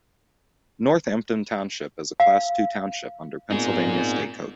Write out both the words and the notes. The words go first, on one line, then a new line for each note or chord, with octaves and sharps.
Northampton Township is a class two township under Pennsylvania State Code.
F5
A#2 B3 C4 D#4 G#4